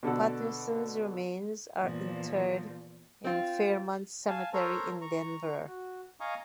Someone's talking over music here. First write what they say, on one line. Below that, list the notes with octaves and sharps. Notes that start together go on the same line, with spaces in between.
Patterson's remains are interred in Fairmount Cemetery in Denver.
B2 D3 A4 F#5
E2 A#2 F3
C4 F4
F5 G#5 A5
A4 A#4 C5 C#5 A#5
A#5 C#6
F#4
D#5 F5 G#5 A#5 C#6 D#6